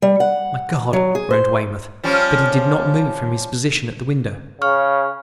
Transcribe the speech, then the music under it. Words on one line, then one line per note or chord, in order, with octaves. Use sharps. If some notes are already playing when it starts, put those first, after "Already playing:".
"My God!" groaned Weymouth--but he did not move from his position at the window.
G3
F#5
F#3
G#4
C5
F3 G3 C#4
C#3 C#6 F6